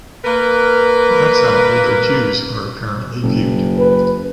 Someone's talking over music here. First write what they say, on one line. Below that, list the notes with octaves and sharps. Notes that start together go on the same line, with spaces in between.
That’s how older Jews are apparently viewed.
A#3 A#4 B4
F#1
B4